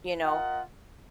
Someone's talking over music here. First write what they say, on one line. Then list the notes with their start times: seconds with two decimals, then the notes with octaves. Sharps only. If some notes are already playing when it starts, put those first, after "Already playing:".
You know?
0.22 F4 A#4 D#5 F#5